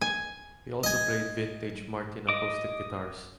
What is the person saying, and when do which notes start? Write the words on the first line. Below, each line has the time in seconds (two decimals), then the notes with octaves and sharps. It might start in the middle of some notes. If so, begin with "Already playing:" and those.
He also played vintage Martin acoustic guitars.
0.01 G#5
0.84 D#5 G#5
2.29 D#5 D6